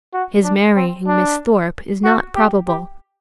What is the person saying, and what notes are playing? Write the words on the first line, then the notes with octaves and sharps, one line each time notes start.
His marrying Miss Thorpe is not probable.
F#4
D4
C4
D4
F#4
G4
G4